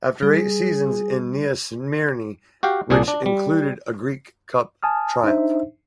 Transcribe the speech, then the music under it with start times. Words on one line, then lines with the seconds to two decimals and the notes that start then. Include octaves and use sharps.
After eight seasons in Nea Smyrni, which included a Greek Cup triumph.
0.23 G3 G#4
2.63 F#4 G4 F5 G5
2.90 C2 A#2 D4 G#4 D5
3.08 D4
3.26 G3
4.83 G#5 A5 D#6 F6
5.24 D4 D#4 C5 E5